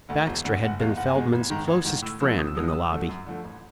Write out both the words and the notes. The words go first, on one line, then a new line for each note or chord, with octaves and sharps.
Baxter had been Feldman's closest friend in the Lobby.
D2 D3
E1
D2 D3
F#1 F#5
E2 B2 G#3 F5
F#1 F#5
G#5
E2 B2 G#3
A1
G#2 D#3
A1
G#2 D#3
A2 E6
F3 G#3 B3 E6
A2 D#6
E6
F3 G#3 B3 D#6
D#6
F#2 E6
D3 F3 A3
F#2
D3 F3 A3
A1